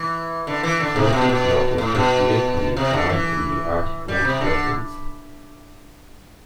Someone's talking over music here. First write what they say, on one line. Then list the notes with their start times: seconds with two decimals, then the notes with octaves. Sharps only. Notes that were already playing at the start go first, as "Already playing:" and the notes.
Sources not listed here can be found in the articles referenced.
Already playing: E3
0.47 D3
0.63 E3
0.80 D3
0.96 C3
1.12 B2
1.29 B2
1.78 A2
1.95 B2
2.77 C3
2.93 D3
3.09 E3
4.08 G3
4.25 C3
4.41 D3